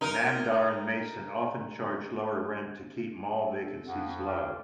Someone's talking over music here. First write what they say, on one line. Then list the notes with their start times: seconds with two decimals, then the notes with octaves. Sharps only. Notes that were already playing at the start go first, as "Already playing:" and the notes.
Namdar and Mason often charge lower rent to keep mall vacancies low.
0.01 D#4 A#4
3.47 A4
3.87 F2 F#5
4.25 G3 F5